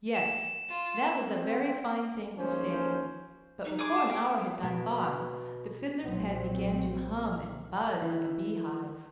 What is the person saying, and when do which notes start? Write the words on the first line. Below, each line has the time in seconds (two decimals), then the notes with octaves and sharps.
Yes, that was a very fine thing to say; but before an hour had gone by the Fiddler's head began to hum and buzz like a beehive.
0.14 E7
0.69 F4
1.28 C4
2.36 D#2 F3 C#4 C5
3.65 D#4
3.79 G#4 D6
3.96 A5
4.09 G5
4.63 B2
6.04 B1 A#2 F#3 C4
8.02 E3